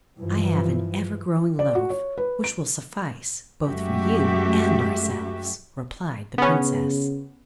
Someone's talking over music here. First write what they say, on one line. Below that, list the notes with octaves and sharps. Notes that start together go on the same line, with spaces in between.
"I have an ever-growing loaf, which will suffice both for you and ourselves," replied the princess.
G2 E3 F3
D5
F#4
C#5
B4
D7
F#2 G#3 A3 F#4 G4 E5
C#3 B3 C#4